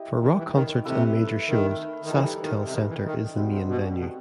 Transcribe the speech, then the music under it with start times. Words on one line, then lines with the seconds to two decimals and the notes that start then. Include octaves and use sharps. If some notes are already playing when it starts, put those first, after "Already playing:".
For rock concerts and major shows, SaskTel Centre is the main venue.
Already playing: E4 G4 D#5
0.22 D#3
0.38 E3
0.53 D#3
0.85 C3 A3 E4 B4 E5
1.48 D#3
2.03 D#3
2.10 E3 G3 D#4 A4
2.42 D#3
2.64 C3
2.73 D#3
2.89 E3
3.05 D#3
3.36 C3 G3 C4 F#4 C5
3.52 C3
3.67 B2
3.99 B2